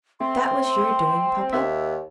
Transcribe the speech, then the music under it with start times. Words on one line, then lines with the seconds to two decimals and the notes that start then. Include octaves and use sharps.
That was your doing, papa.
0.20 A3 C4 C6
1.53 D#2 E5